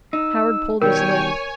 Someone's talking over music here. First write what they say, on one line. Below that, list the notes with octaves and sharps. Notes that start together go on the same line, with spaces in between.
Howard pulled his lip.
D#4 E6
B2 D#3 G3 A#4 C#5 G5 G#5